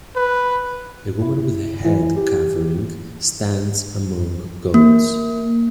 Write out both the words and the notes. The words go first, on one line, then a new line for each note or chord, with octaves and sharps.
A woman with a head covering stands among goats.
B4
E4
E3
G4
A#3